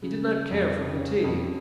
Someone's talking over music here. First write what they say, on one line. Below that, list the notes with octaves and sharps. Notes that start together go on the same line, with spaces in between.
He did not care for fatigue.
C#3
C#4
F2
C#3
C#4
F2